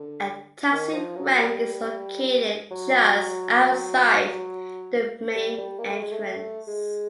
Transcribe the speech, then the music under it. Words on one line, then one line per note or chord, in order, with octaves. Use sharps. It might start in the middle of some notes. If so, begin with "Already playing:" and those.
A taxi rank is located just outside the main entrance.
Already playing: D3
D#3
F3
F#3
G3
F#3
G3
G3
A#3
A3
G#3
A3
G#3